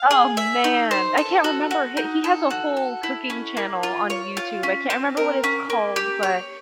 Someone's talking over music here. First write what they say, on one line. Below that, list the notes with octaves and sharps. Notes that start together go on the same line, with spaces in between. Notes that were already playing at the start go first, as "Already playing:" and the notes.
oh, man. I can't remember, h he has a whole cooking channel on YouTube. I can't remember what it's called, but,
Already playing: F5
G#4
E5
D#4
C5
A4
F#4
F#4
D#4
A4
F#4
A4
E4
C#4
A#3
F4
C#5
F4
C#4
C4
A#4
C#4
A#3
G4
C#5